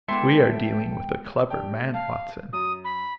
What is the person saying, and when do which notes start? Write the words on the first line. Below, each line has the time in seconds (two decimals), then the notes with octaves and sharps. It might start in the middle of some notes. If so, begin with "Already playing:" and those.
We are dealing with a clever man, Watson.
0.08 D3 G#3 B3 E4 A4 E5 G5 C6
1.50 D4 G4 G5
1.79 A3
1.94 F5 A5
2.53 F#2 D#6
2.84 B5